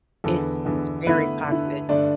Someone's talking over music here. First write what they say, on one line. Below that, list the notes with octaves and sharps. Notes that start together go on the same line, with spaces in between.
it's it's very toxic.
E2 D3 B3 A4
E2 D3 B3
D3 A3 B3 E4 B4
D3 A3 E4
G2 D3 A3 D4 D5